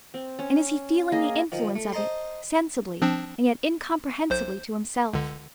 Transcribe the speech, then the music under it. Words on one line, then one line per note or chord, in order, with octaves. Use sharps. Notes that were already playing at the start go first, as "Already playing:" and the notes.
And is he feeling the influence of it, sensibly, and yet incomprehensibly to himself?
C4
C#4
A#3 G#4 D#5
D#3 F3
A3
C5 D#5 A5 A#5 C6
F3 C4 D4
B1 C5 G6
C#2 D3